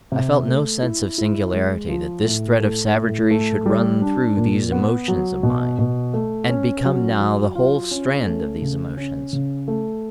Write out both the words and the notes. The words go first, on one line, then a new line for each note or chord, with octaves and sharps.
I felt no sense of singularity that this thread of savagery should run through these emotions of mine and become now the whole strand of these emotions.
C3
A3
E4
E4
G#3
F3
A2
A3
A2
A3
G3
D4
A#2
B3
F#3
B2
B2
A3
C#4
F#3
F#3
F4
C#4
A3
C#3
C#4
C#3
A3